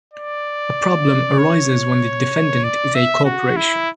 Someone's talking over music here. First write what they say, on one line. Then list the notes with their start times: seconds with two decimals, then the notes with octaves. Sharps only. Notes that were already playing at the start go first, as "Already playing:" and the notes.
A problem arises when the defendant is a corporation.
0.14 D5
1.38 C#5
2.64 D5
2.95 E5
3.25 F#4
3.57 E4